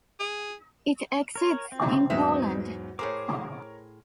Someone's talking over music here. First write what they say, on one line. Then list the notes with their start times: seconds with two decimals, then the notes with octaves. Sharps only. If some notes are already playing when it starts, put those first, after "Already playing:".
It exists in Poland.
0.20 G#4
1.36 A#4 C#5
1.72 C4
2.10 E2 G#2 F#3 G#3 D#4 E5
2.99 A2 G#4 A#4 C5 C#5 D6